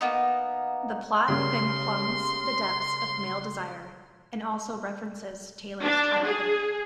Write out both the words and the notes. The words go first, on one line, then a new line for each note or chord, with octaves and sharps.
The plot then plumbs the depths of male desire, and also references Taylor's childhood.
A#3 B3 D#4
C#3 G3 A#3 C6
D4
G#4